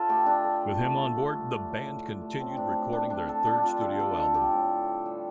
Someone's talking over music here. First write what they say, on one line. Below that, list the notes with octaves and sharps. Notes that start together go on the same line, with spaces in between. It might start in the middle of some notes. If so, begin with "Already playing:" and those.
With him on board, the band continued recording their third studio album.
Already playing: D3 D4 F4 A4
A3 G4
D3 D4
D3
A3
A3
D3
D3
A3
A3
A2
A2
A3
A3
A2 C4
A2 D4
A3
A3 D4
D3 D4
D3 A4
G3 D4
G3 F4
D3 A4
D3 A4
G3 A4
G3 G4
A2
A2
G3
G3